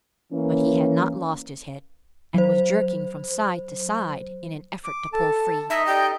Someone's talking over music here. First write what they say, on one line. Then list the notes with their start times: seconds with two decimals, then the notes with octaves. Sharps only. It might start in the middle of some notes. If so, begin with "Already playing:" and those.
But he had not lost his head and was jerking from side to side in an effort to pull free.
0.32 E3 A#3 C#4
2.34 F#3 C5
4.84 D6
5.13 A4 A5
5.70 D#4 D#5 E5
5.87 G4 A4 D5 G5